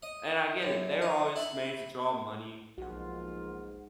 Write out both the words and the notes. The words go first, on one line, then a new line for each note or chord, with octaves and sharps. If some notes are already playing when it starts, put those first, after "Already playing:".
And I get it, they're all just made to draw money,
D#5
F#2
D#4
E4
B1 G#2 F3 A#3 F4 F#4 F#5